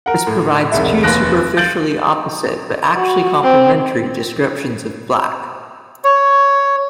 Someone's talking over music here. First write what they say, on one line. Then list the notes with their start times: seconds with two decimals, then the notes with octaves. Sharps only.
This provides two superficially opposite but actually complementary descriptions of black.
0.06 A#4 F#5
0.27 A2
0.72 E1 C2 G#2 E5
1.03 F1 D#2 F#6 A#6 D7
1.57 G6 A6 D7 F#7
2.96 F#4
3.44 C4
6.04 C#5